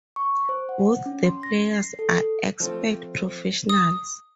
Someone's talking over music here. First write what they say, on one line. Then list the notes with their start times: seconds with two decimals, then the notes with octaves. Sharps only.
Both the players are expert professionals.
0.16 C#6
0.49 C5
0.69 F#5
1.06 C#4
1.24 C6
1.43 A#6
1.73 C7
1.99 A4
2.60 F3 A3 C4 F4
3.69 D#6